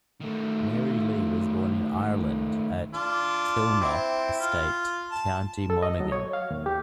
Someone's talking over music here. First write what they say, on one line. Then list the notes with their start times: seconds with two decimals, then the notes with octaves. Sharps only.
Mary Lee was born in Ireland at Kilknock Estate, county Monaghan.
0.21 D#3 A3
2.94 D4 F4
3.81 C4 E4
4.40 F4
5.12 A5
5.70 A4
5.82 D#5
6.00 F#3
6.12 C#5
6.33 F5
6.51 D#2
6.66 G4